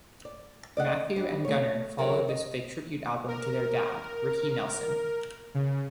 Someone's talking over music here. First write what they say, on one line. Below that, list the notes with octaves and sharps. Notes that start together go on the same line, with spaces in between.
Matthew and Gunnar followed this with a tribute album to their dad, Ricky Nelson.
D5
D5 D#5 F#5
G3 D4
A3 C#5
D3 D#3 F#3 A#4 A5
D#5
A#4
C#3